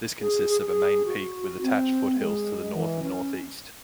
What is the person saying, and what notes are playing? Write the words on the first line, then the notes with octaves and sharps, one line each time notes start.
This consists of a main peak with attached foothills to the north and northeast.
G#4
G#4
G#4
F#4
C4
G#3
E3
C#4